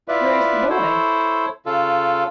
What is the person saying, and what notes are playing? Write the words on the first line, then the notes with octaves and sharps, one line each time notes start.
"Where is the boy?"
E4 F4 B4 D5 E5
E4 A4 C5 C#5
C#3 F4 A4